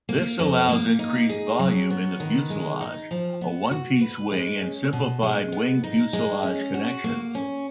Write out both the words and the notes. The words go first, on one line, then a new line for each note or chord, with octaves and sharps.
This allows increased volume in the fuselage, a one-piece wing, and simplified wing-fuselage connections.
A#3
F2
A#3
D#4
G#4
F#3
B3
D#3
G#3
D#4
F3
B3
F#4
B4
G#3
C#4
B2
G#3
B3
D#4
G#3
C#4
F#4
A#3
C#4